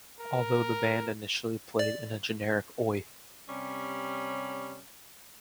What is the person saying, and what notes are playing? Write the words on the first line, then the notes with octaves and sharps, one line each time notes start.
Although the band initially played in a generic Oi!
A#4
D5
C3 G3 C#4